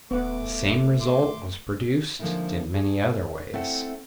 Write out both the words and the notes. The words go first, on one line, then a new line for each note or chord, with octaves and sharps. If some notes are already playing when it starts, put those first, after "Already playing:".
The same result was produced in many other ways.
D#1 A3 B3 F#5 D6
C6 D6
D3 F3 G#3 A#3 D#4 E4
G#4
A3 C4 E4 A4 F#5